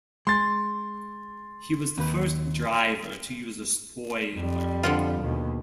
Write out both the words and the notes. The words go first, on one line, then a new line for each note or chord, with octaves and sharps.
He was the first driver to use a spoiler.
G#3 C6 A6
D#2 B4
F2 G3
D3 F3 F4
D#2 B2